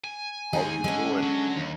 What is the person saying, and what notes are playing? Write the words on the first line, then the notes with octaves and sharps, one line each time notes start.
how you doin'?"
G#5
D#2 G#4
D3 G#3 C#4
F#3 F#4
D#2